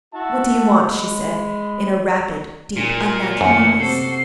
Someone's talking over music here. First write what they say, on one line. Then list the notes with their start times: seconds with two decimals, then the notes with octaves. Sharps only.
"What do you want?" she said in a rapid, deep, unnatural voice.
0.13 E4 F#4 E5 A5
0.83 G#3 B5
2.76 A#2 A#4
3.41 F#2 A3 A#3 D4 C#7
3.80 C3 F#4 A4 C7